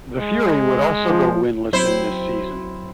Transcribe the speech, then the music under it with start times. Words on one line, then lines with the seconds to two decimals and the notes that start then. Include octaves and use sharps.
The Fury would also go winless in this season.
0.19 G#3
1.10 F3
1.73 F#3 C4 E4 C5